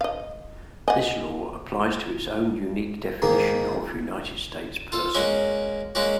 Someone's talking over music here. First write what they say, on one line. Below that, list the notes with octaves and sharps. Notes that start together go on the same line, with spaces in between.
This law applies to its own unique definition of United States person.
D#5 F5
D#5 F#5 G#5
G#2 D#3 G#3 A#3
F4 A4
G#3 A#3 C#4 F#4
G#3 A#3 C#4 F#4